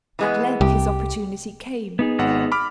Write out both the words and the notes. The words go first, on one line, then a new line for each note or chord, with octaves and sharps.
At length his opportunity came.
E3 G#3 B3
C2 G4
B3 D#4 G#4
G#1 F#5
B5 D6 F6